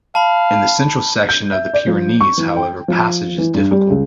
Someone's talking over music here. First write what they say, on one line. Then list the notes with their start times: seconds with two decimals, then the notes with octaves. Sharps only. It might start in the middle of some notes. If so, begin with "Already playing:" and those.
In the central section of the Pyrenees, however, passage is difficult.
0.15 F5 A5 B5
1.29 G6
1.52 E5
1.73 D5
1.87 F3
2.21 C#6
2.38 E3
2.56 G5
2.88 F3
3.38 E3
3.54 G2
3.71 G3
3.90 C#2